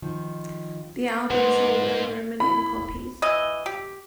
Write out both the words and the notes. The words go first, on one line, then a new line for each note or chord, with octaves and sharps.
The album sold over a million copies.
D#3 F3
G#2 B4 F#5
E4 B5
E3 D#5
G4